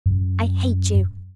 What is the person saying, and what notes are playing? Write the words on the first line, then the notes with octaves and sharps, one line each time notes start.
I hate you.
F#2